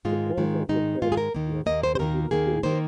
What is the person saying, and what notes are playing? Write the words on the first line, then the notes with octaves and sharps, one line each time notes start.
The cause of the crash was engine failure.
G#2 D#3 G#3 F4
G#2 D#3 G#3
G#2 D#3 G#3 D#4
G#2 D#3 G#3 F4
G#4
A#4
D#2 D#3 A#3
D#2 D#3 A#3 D#5
C5
C5
D#2 D#3 A#3 A#4
D#2 D#3 A#3 G#4
D#3 A#3 C5